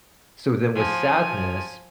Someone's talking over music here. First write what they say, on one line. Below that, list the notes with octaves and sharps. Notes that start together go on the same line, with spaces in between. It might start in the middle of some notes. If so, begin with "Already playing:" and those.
so then with sadness,
F3 G#5